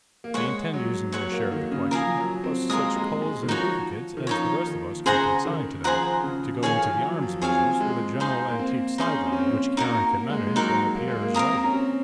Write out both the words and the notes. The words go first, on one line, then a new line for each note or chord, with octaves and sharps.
They intend using their share of the collection, plus such culls and duplicates as the rest of us can consign to them, to go into the arms business, with a general-antique sideline, which Karen can manage while Pierre's writing....
A#3
G#3 C#5 F#5 C#6
F#3
F#3 C#5 F#5 C#6
A#3
D#3
C#3
F3 A#4 F5 G#5 D#6
F#3
C4
G#3 A#4 F5 G#5 D#6
G#3
G#3
D#3
F3 D#4 F#4 C#5
D#3
F3 D#4 F#4 C#5
D#3
C#3 G#4 C5 F#5 A#5
D#3
F3 G#4 C5 F#5 A#5
C#3
F3
D#3 G#4 C#5 F5 G#5
F3
F#3
F3
C4 G#4 C#5 F5 G#5
G#3
D#4 G#4 C5 F5
A#3
C4
C#4 D#4 G#4 C5 F5
C4
C#4
C4
C4
A#3 D#4 F#4 A#4
A#3
G#3
G#3
F#3 D#4 F#4 A#4
A#3
G#3
A#3
C4 A#4 F5 A#5 D#6
C4
C#4
C4